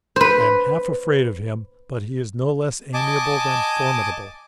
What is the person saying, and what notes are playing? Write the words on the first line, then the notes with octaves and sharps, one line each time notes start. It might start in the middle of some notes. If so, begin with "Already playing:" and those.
I am half afraid of him; but he is no less amiable than formidable.
B4 C5
D#5 G#5 A5 D6